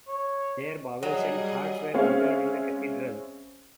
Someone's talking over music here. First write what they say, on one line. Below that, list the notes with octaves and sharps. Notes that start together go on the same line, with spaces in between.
Their bowels and hearts were interred in the cathedral.
C#5
F#3 G3 G#4 D#5
G#3 C4 C#4 C#5 E5 F5